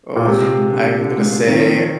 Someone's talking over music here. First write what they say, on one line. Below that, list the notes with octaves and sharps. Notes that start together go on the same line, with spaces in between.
Ugh. I'm gonna say
A#2
C3 G#3
F4
G#3
D3
D3
D3
G#3
F4
D#3 C4
F3
F3